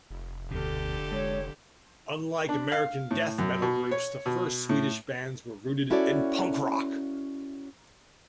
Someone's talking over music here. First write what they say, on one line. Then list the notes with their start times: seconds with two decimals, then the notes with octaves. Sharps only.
Unlike American death metal groups, the first Swedish bands were rooted in punk rock.
0.10 F1
0.51 D2 B2 D3 G4 A4
1.12 G#3 C#5
2.49 D4
2.72 F5
3.11 A2
3.38 F#2
3.62 B2
3.91 C#5
4.26 B2
4.69 A2
5.90 C#4 E4 F#4 A4 C#5 D5